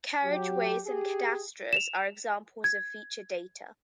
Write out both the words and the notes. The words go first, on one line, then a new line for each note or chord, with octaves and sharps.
Carriageways and cadastres are examples of feature data.
F#3 G4
G4 G#4
E7 F7
G#6